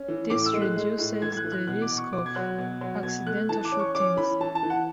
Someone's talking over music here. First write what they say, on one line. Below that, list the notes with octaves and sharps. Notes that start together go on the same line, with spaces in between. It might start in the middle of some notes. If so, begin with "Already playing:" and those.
This reduces the risk of accidental shootings.
Already playing: C#4
E3
A2 D6
E6
G#3
F#6
G#3
A2
E3 G#6
G#6
F#6
E3
F#6
B2 F#6
D6
B2
C#6
B2 D6
G#6
F#3 F#6
B2
F#3
B2 G#6
A3 F#6
E3 A5
D6
C#4
C#6
C#4 D6
E3 B5
E3 A5
A5
E3
F#5